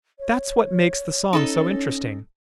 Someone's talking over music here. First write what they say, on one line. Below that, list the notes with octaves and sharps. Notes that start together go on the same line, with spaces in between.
"That's what makes the song so interesting."
C#5
C#4 D#4 A4 D#5